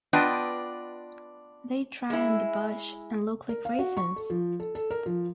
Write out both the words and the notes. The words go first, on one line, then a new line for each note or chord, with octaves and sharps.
They dry on the bush and look like raisins.
B3 D4 F4 B4 D#5 G5
G#3 E4
A#4
F5
F#4
C#6
A4
F3
A4
A4
A#4
F3